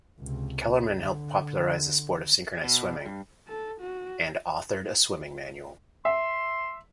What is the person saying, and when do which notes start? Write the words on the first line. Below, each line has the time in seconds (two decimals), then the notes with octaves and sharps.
Kellermann helped popularize the sport of synchronised swimming; and authored a swimming manual.
0.19 C#2 C3
0.94 D3
2.64 B2
3.06 G2
3.48 A4
3.81 F#4
6.05 E5 C6